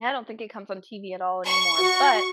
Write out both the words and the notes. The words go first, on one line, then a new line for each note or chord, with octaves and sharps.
I don't think it comes on TV at all anymore, but
C#6
F#4